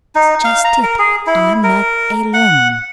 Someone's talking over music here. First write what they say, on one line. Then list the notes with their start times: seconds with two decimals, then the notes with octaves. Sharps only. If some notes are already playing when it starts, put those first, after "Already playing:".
"That's just it--I'm not a-learnin'!"
0.15 D#4
0.44 F5
0.64 A#5
0.83 A#4
0.99 G#4
1.27 E4
1.64 A#4
2.34 F#5